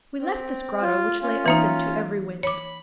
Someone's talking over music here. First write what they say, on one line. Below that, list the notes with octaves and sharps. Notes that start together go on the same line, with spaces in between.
We left this grotto which lay open to every wind.
C4
F4
C#4 F4
E3 A#3 D#4
C#5 B5 D6